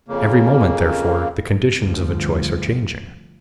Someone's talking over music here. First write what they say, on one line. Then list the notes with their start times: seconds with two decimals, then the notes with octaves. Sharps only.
Every moment, therefore, the conditions of a choice are changing.
0.08 F2 C#3 A#3
1.80 D2 G2 F3